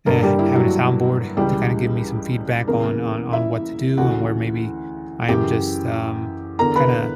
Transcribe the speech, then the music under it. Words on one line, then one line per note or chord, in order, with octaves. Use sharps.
eh having a sound board to kinda give me some feedback on on on what to do and where maybe I am just, um, kinda,
G2 D3 A#3 A#4
G3 G4
E4
F#3 F#4
C#2 C#3 E3 G3 G4
E2 C#3 E3 A#3 A#4
E4 E5
D2 C#3 E3 F#4 F#5
F#2 C#3 E3 G4 G5
E2 D3 A#4 A#5
B4 B5